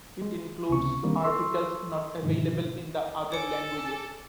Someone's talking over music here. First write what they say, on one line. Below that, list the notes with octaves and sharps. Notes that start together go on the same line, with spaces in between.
It includes articles not available in the other languages.
G#3
C#2 C3 B3 C#4 C#6
D#3 E3 G3 A#3 C4 D4
A4 C6 C#6 E6
G#2 B2 D3 D#3 F3
A4 C#5 G#5 D6 C#7